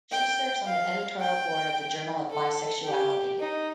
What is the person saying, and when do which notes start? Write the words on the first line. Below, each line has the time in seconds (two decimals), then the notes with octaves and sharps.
She serves on the editorial board of the "Journal of Bisexuality".
0.12 G5
0.65 F5
1.21 G5
2.30 A4
2.85 G4
3.40 D#4